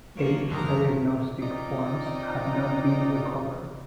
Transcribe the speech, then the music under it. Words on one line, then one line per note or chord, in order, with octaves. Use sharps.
Age diagnostic forms have not been recovered.
F3 F#3 A#3 C#5 D7 E7
E1 F#2 D3 D#3 A#4 A#5
C4 D#4 F4 D5